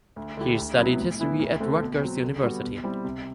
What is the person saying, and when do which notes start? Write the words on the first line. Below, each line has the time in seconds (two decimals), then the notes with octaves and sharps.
He studied history at Rutgers University.
0.16 D2
0.37 D3 A3 E4 G4
0.58 D2
0.77 C3 F#3 B3 E4
0.99 A2
1.19 E3 B3 E4
1.39 D2
1.60 D3 A3 C4
1.81 B2
2.01 F#3 C4
2.23 D3
2.43 G3 B3 F#4
2.64 B2
2.84 G3 C4 E4
3.04 C3